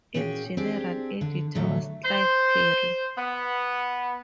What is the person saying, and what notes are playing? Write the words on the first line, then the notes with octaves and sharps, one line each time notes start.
Its general editor was Clive Parry.
A#2 C#4 F#4 G#4 B4 G5
C4 D4 G4 G#4
D3
A2 D3 F#3 A3
C5
B3